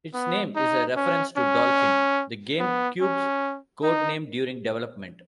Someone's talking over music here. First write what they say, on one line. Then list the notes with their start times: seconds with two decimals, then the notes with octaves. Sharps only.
Its name is a reference to Dolphin, the GameCube's codename during development.
0.14 B3
0.56 D#4
0.96 C#4
1.37 C#4
2.60 B3
3.01 C#4
3.83 D#4